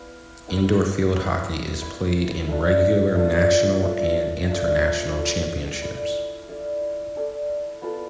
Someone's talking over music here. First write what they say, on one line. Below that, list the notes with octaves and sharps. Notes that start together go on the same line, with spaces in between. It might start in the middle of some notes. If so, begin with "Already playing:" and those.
Indoor field hockey is played in regular national and international championships.
Already playing: B3 E4 B4 F5
B3 E4 B4 F5
B3 E4 B4 F5
B3 E4 B4 F5
D4 F4 A4 E5
D4 F4 A4 E5
D4 F4 A4 E5
D4 F4 A4 E5
E4 A4 D5 F5
E4 A4 D5 F5
E4 A4 D5 F5
E4 A4 D5 F5
B3 F4 A4